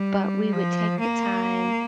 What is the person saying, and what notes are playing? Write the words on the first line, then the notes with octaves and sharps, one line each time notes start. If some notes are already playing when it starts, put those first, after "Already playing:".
but we would take the time
Already playing: G3
F3
A#3